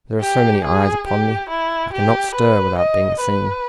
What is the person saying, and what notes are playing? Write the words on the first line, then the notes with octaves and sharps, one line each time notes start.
"There are so many eyes upon me, I cannot stir without being seen."
G4
G#4
G4
E4
G4
B4
D#5
B4